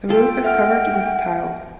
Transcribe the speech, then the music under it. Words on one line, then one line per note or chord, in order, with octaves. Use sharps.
The roof is covered with tiles.
F4 A4 G5
E5 F#5 G5 F6